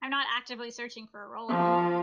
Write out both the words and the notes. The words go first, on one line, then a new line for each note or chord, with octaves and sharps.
I am not actively searching for a role at the moment.
F3